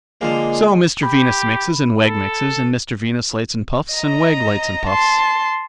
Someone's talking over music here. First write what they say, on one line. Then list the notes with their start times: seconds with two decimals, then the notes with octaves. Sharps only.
So, Mr Venus mixes, and Wegg mixes; and Mr Venus lights and puffs, and Wegg lights and puffs.
0.21 D3 F3 G#3 A#3
1.03 G4 B5
1.97 A4
3.93 D#5 A#5
4.87 A5 C6